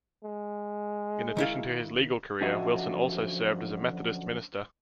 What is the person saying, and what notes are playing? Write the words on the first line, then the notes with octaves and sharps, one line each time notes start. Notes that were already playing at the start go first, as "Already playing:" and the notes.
In addition to his legal career, Wilson also served as a Methodist minister.
G#3
D#3 E4 F5
F#2 D3 F3 F#4 D#5 E5